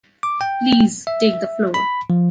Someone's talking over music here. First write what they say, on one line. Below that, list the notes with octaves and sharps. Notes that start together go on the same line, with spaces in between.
Please, take the floor.
D6
G5
E5
B5
F3